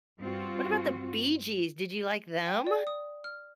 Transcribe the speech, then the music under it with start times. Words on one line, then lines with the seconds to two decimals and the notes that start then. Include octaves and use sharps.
What about the Bee Gees? Did you like them?
0.20 G2 C4 F4 F#4
2.46 G5
2.67 D5
2.87 D#6
3.24 F6